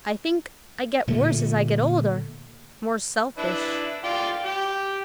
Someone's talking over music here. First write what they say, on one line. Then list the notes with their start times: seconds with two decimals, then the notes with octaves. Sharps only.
I think I get worse as I get older, more selfish.
1.07 A#2 D3 A3
3.38 D4 E4 B4
4.04 F4 D5 G5
4.45 G4 G5